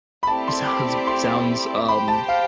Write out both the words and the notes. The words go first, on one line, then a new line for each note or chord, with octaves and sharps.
Sounds sounds, um
B5
A3 C4 E4 G4 D5 A5
C6
D6
C6
G4 C5 G5 B5
A5
F5